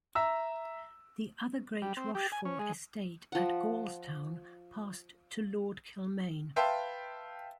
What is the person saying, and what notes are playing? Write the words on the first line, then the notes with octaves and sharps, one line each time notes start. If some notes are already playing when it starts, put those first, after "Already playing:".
The other great Rochfort estate at Gaulstown passed to Lord Kilmaine.
E5 A#5 E6
G3
C4
G4
G#5
C#4
G#3
F3 F#5
B4 E5 F5 G5 A5 C6